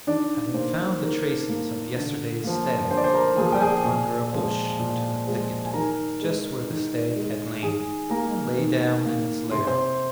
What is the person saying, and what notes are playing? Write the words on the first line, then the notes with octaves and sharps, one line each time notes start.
Having found the traces of yesterday's stag he crept under a bush into the thicket just where the stag had lain, and lay down in its lair.
D#3 D4 D5
A#3 C5
D#3 A#4
A#3
D3
F3 A#3
D3 C5
D5
C5
A#4 A#5
F3 A#3 G#4 G#5
G5
G#4 G#5
A#2
F3 G#3
A#2
F3 G#3
G#5
D#3 A#4 A#5
G#3
D#3
G#3
D#3 G#4 G#5
A#3 A#4 A#5
D#3
A#3
C3 C6
C5 C6